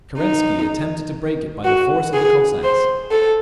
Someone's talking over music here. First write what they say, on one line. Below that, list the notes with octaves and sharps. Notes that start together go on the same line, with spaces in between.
Kerensky attempted to break it by the force of the Cossacks.
D#4
F#4
G#4
C5
A4